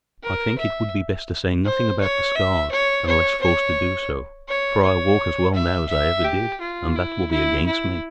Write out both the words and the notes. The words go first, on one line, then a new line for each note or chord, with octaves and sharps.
"I think it would be best to say nothing about the scars, unless forced to do so, for I walk as well now as I ever did, and that will be against me."
A#4
E5
C5
C#5
E5
C#5
C#5
C#5
C#5
C#5
E5
E5
G4
F4
E4
E4
E4